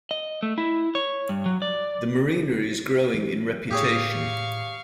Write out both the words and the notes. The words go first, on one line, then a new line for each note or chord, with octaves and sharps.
The marina is growing in reputation.
D#5
A3
E4
C#5
G2
F#3
D5
E3 F#3 C#4
A2 A3 A#3 G4 G#4 C#5 F5 C#6